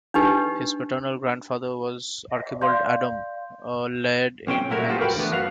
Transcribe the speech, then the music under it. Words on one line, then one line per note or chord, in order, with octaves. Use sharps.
His paternal grandfather was Archibald Adam, a laird in Angus.
D4 D#4 G4 B4
D5 F5 C6 G6
B1 C4 C#4 G5
A#2 F#3 A3 E4 F#4 A#4
F#3 A3 B3 F4 G4 C5
F#4 A#4 B4 G5 B5
D3 E3 A3 B3
F#2 F#4 B4 F5